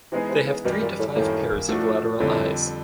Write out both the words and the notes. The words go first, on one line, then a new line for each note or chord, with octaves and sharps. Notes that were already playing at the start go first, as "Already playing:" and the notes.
They have three to five pairs of lateral eyes.
C3 E3 G#3 B3 D#4 G#4
C3
C#3
F#2 B2 D#3 G3
A#2
A2
F#2 A2 D#3 G3 A#3
A2 F3 A3 D4 F#4
F2 A2 D3 G3